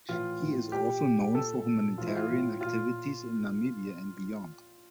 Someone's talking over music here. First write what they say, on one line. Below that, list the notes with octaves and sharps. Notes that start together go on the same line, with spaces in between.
He is also known for humanitarian activities in Namibia and beyond.
A2 E3 F4
A2 E3
A#2 G4
A#2
A#2 A4
A#2
A2 E3 F4
E4
F4
A2 E3
A#2 F4